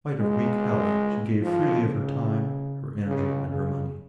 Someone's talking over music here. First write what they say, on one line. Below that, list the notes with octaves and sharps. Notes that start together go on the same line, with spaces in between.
In spite of weak health she gave freely of her time, her energy and her money.
G#3
F3
C#3
C#3
C#3